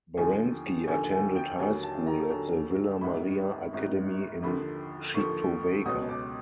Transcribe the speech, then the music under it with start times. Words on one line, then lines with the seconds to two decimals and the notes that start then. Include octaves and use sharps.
Baranski attended high school at the Villa Maria Academy in Cheektowaga.
0.17 D#2 D3 F3 G#5
0.88 D#2 D3 F3 G#5
1.12 G#5
1.36 G5
1.59 D#2 D3 F#3 G#5
1.83 A5
2.07 A#5
2.30 D#2 D3 F#3
3.01 G#1 F#2 D#3 B5
3.72 G#1 F#2 D#3
4.43 D#2 D3 F3 B5
5.14 D#2 D3 F3 C#6
5.85 C#2 B2 F#3 D#6
6.09 D6